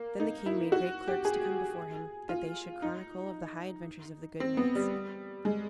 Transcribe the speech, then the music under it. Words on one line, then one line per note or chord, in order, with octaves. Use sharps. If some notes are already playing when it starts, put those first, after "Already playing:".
Then the king made great clerks to come before him, that they should chronicle of the high adventures of the good knights.
Already playing: A#3
D#4
E4
F#4
G4
G#4
F4
D#4
C4
B3
G3
G#3